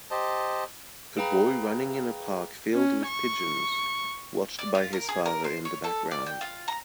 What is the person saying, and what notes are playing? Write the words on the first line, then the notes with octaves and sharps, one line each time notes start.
A boy running in a park filled with pigeons, watched by his father in the background.
G4 C5 D#5 A5
G#4 B4 F5 G5 A#5 B5
C#4
C#6
D5
F4
A#4
G#4
A#4
C5
C#5
A4
D5
G5
F4
A#5